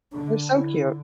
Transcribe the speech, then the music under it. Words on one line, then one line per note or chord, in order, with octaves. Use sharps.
They're so cute.
D3 D4
D3 E4